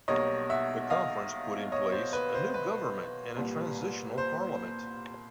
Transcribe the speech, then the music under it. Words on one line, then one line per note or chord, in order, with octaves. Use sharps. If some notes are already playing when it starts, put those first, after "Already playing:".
The conference put in place a new government and a transitional parliament.
B1 B2 G3 A#3 C#5 D#5
E5 F#5
D#5 F5
C#5 D#5
C5
B4
C5
B4
C2 A#2 G3
C5